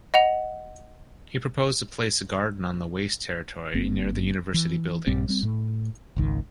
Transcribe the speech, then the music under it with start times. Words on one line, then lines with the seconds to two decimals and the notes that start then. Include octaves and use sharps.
He proposed to place the garden on the waste territory near the university buildings.
0.14 D#5 F#5 F7
3.74 G1 A#3 C4
4.54 E3
5.07 A#1 G2 G3 C4
5.29 G3 C4
5.43 A2 A3
6.16 G#1 C#2 D#3